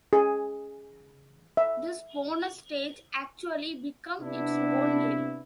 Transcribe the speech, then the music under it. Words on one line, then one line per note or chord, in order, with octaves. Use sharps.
This bonus stage actually became its own game.
G#4
E5
C3 B3 D4 E4